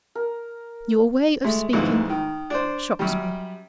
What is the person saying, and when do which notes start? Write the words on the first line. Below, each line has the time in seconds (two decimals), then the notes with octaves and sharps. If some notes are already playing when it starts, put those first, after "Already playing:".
'Your way of speaking shocks me.
0.15 A#4
1.44 G#3 A3
1.73 F2 G#2 B2 E3 G#3 A#3
2.09 D#3
2.50 D4 C5
2.99 F#2 G3